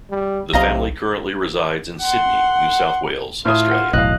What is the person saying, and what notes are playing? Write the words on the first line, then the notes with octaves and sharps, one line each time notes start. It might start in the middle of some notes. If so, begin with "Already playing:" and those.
The family currently resides in Sydney, New South Wales, Australia.
G3
B1 C3 D#5 F5 A#5
F#5 C6
A2 F4 E5 D#6
F#5
E1 B1 A2 D#5 F5 F#6